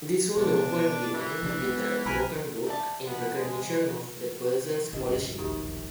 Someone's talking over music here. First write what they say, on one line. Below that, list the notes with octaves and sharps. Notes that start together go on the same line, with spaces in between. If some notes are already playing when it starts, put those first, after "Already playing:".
This was often given with a token book in recognition of the person's scholarship.
B2 D4
E3
A1 C3 D4
G#3 A3 B3
B1 A#4 B4 G#5
A3 D4 A5
B3
G#3
A1 D3 C#4 G4 D#5
D#1 G#2 G3
E1 A#1 D#2 D#4 F#4 G4